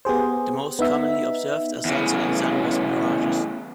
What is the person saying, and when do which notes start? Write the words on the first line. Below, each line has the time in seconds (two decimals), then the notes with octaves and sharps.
The most commonly observed are sunset and sunrise mirages.
0.05 B3 G4 G#4 C5
0.79 B3 D#4 E5
1.85 E2 C#3